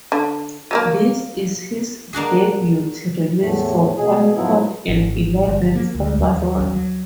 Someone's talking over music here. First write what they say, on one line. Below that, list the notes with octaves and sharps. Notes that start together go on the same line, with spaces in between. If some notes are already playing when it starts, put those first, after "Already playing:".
This is his debut release for Concord and eleventh overall.
D3
F#3 A3 A#3
A#3 D4 F#4 G#4
E2 A2 A3
B2 G#4
G#2 F3 F#3 B3 E4
G#1
G1
A#3
D2
D#2
D#2
F#3